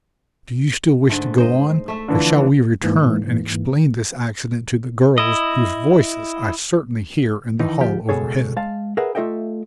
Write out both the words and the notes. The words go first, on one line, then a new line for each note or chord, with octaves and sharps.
"Do you still wish to go on, or shall we return and explain this accident to the girls whose voices I certainly hear in the hall overhead?"
G#2 D3 A3
C5 D#5
A3 E5
D3 E3 F3
G#2 E3 A#3
E4 D#5
D#3 E3 D#4
D2 F3 F4 G4 G5
C#2 G2 B2 G#4 A4 C#5
G#3 F5 A5
G#4 A#4 B4 E5 F#5
A3 F4 A4 D#5 E5 G5